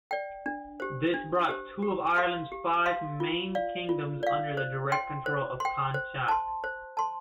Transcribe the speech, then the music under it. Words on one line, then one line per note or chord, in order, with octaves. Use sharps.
This brought two of Ireland's five main kingdoms under the direct control of Connacht.
D5 G5
D4
G4 C5
D4
G4 C5
G4
F5 C6
G4
F5 C6
F4
D5 F5
F4
D5 F5
C5
G5 C6
C5
G5 C6
C5
A5 C6
C5
A5 C6